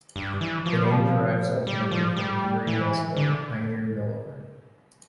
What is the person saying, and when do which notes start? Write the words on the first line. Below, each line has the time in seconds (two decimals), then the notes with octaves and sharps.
The name derives ultimately from Henry Yesler, pioneer mill owner.
0.16 G2
0.41 E3
0.66 F3
0.85 G3
0.91 F3
1.67 G3
1.91 F3
2.16 G3
2.67 E3
3.17 D3